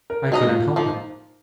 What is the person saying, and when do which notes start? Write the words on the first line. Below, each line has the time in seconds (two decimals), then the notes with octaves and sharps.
I couldn't help it.
0.10 A#4
0.32 G#3 D#4 F#4 A#4 D#5
0.47 F4
0.62 F4
0.76 F3 A#3 D#4